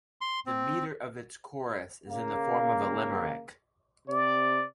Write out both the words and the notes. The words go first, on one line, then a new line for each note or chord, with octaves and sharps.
The meter of its chorus is in the form of a Limerick.
C6
C4
C#3 A#3
C3 D5